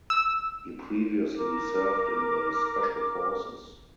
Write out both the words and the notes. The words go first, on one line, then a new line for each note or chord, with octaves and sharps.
He previously served in the special forces.
E6
A#4 D6